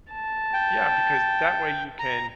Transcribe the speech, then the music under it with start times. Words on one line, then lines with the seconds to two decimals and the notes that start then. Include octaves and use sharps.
Yeah, because that way you can
0.13 A5
0.53 G5
1.99 A#5